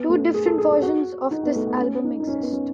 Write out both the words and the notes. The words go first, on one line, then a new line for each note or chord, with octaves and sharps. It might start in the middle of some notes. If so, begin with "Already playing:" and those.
Two different versions of this album exist.
Already playing: B3
A3
G#4
A4
G#4
G#4
F#4
D#4
B3
A3
B3
C#4
D#4
D#4
C#4
B3
C#4